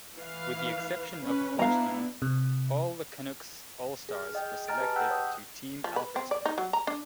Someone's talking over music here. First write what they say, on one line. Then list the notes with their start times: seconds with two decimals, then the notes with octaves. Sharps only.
With the exception of Hodgson, all the Canucks All-Stars were selected to Team Alfredsson.
0.16 E3 B4 F5
1.22 C#4 B4
1.59 B3 D4 E4 F5 A#5
2.22 C3
4.09 G#4 F6
4.34 G#4 D#5 G5 G6
4.68 D#5 G#5 A#5 F6 A6 D7
4.80 G4 G#4 B4 D#5 A5
4.96 F#5 G5 E6 F#6 G6 B6
5.10 C#5 D#6
5.84 F3
5.96 B4
6.16 C4
6.31 D5
6.46 D#4
6.58 F#3
6.73 A#5
6.87 D4